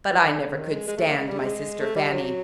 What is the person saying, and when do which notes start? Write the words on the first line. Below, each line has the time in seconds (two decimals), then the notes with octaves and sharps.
But I never could stand my sister Fanny.
0.09 E3
0.25 D3
0.56 D#3
0.71 G#3
0.87 G#3
0.97 A3
1.08 A#3
1.18 G#3
1.28 G3
1.39 G#3
1.81 A3
1.96 G3
2.12 F#3